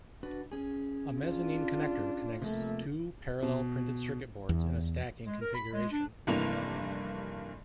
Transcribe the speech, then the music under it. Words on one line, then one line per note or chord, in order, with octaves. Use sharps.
A mezzanine connector connects two parallel printed circuit boards in a stacking configuration.
D4 F#4 B4
C#4 G#4
D4 F4
C3 F3 A3 A#3
B2
E2
G#3
A#4
B5
G#3
D4
F1 G2 E3 A#3 F7